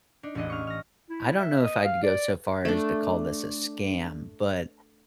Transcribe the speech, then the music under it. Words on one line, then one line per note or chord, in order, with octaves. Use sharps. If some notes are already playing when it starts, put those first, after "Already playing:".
I don't know if I'd go so far as to call this a scam, but
D4 D#4
E1 A1 D4 D#5 F#5
C#6 F6
F6 A#6
E4
E5
D#5
F5
D5
A3 D4